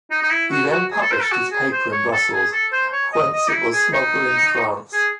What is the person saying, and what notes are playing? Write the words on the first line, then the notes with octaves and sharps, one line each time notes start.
He then published his paper in Brussels, whence it was smuggled into France.
D#4
D#4
E4
F#4
F#4
G#4
A4
C5
A4
F#4
G#4
C5
C#5
A4
G#4
A4
C5
C#5
D#5
D#5
D#4
E4
G#4
D#4
G#4